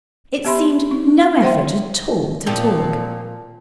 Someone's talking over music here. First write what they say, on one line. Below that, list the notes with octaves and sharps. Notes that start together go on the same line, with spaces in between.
It seemed no effort at all to talk.
B3 G4 E5 B5 C6
D#4
C5 E5 F#5 G5 C6
A#2 F3 C4